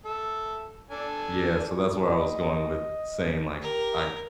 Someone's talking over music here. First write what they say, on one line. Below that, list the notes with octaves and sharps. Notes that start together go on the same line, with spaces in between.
Yeah, so that's where I was going with saying, like, I
A4 E5
D4 A4 G#5
D#5
G4 A#4